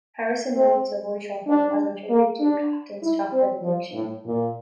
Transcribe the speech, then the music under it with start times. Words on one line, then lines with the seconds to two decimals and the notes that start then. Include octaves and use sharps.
Harrison wrote "Savoy Truffle" as a tribute to Clapton's chocolate addiction.
0.56 C4
1.48 D4
2.10 A#3
2.40 D4
3.03 E4
3.33 C4
3.63 F3
3.95 A2
4.26 A#2